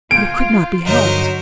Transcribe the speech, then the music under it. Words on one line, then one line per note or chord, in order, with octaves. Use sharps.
But it could not be helped.
F4 G6 G#6 D7
G2 D3 F#3 D#4 A#4 C5 D#5